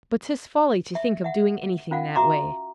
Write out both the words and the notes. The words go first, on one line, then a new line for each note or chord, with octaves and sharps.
But 'tis folly to think of doing anything that way.
E5
E5 F#5
C#4 F4 F5 F#5
F#4 E5 A#5 C6 D6